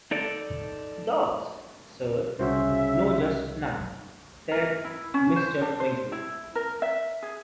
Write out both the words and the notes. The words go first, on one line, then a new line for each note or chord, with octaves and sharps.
Dogs, Sir?’ ‘Not just now,’ said Mr. Winkle.
D#4 A4 D5
C2 C#3 C#4 F#4 C5 E5
A#4
E4
C#4
C5
D4
C5
E4
A#4
E5
G#4